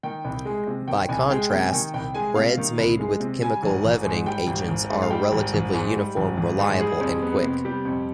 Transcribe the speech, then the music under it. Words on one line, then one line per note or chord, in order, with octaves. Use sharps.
By contrast, breads made with chemical leavening agents are relatively uniform, reliable, and quick.
D#3 G5
C2
G#3
C3
D#3 G5
C2 G#5
G#3 G5
C3 G5
G#5
D#3 G5
C2 G5
G#3 G#5
C3 F5
D#3
C2
G#3
C3
G3 G#5
G#1
G#1
G#2
G3 G5
G#1
G#1
G#2
F5
G3 G5
G#1
G#1
G#2
G3
G#1
G#1
G#2
G3 G#4
F2
B3
C3
G3 G4
F2